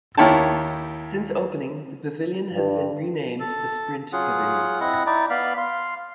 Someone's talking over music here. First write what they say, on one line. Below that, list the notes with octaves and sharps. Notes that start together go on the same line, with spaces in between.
Since opening the Pavilion has been renamed the Sprint Pavilion.
D#2 E4 C#5 G5 A5
G2
A4
F#3 F4 G#4 F#5
C4 E4 D#5 F#5
D#4 E4 D5
B3 D5 F5 B5
F5 C6